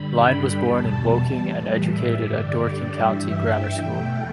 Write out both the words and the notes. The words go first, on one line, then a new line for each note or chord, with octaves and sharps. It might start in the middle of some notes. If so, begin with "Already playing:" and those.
Lynne was born in Woking and educated at Dorking County Grammar School.
Already playing: G2 D3 G3 B5
G5
E2 B2 G3 A5
A2 E3 G3
E5
G2 D3 G3 D5
D5
G2 E3 G3 E5
G5
E2 B2 A3